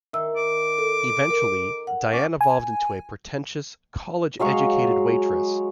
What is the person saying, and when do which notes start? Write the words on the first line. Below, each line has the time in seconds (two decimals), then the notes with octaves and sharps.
Eventually, Diane evolved into a pretentious, college-educated waitress.
0.13 D#3 E5 E6
0.37 D6
0.79 A4
1.30 A#4
1.87 F#5
2.12 C#4 D5
2.41 G#5
4.39 F#3 G#3 F5 C#6